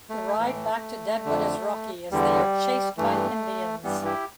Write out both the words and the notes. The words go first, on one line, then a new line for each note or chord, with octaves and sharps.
The ride back to Deadwood is rocky, as they are chased by Indians.
A3
A2 E3
F2 D3
E2 D3 G3
G2 E3 A3
G2 E3 G3 B3
E4 G4